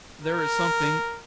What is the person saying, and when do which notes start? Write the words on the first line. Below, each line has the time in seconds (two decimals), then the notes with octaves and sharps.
There is something....
0.24 A#4